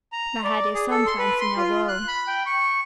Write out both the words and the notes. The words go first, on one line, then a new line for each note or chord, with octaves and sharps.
My head is sometimes in a whirl.
A#5
D5
G#4
A4
C6
B4
C6
F4
F#6
B5
G5
C#6